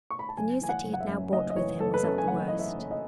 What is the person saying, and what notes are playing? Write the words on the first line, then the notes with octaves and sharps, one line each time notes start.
The news that he had now brought with him was of the worst.
C#6
B5
A5
F#1 G#5
E3 G#5
F#5
F#1
F#5
E5
F#2
F#1 D#5
D#5
E3 C#5
F#1 A4
B4
F#2 A4
G#5
F#1 F#5
E3 D#5
E5
F#1
D#5